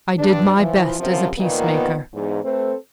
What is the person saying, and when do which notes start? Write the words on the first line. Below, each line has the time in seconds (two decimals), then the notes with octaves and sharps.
I did my best as a peacemaker.
0.18 G2 D4
0.57 E3 F3
0.99 F#2 C3 F3
1.38 A#2 D#3 F3 A#3 B3
2.14 E2 G#2
2.43 A3 C4 A4 B4 C5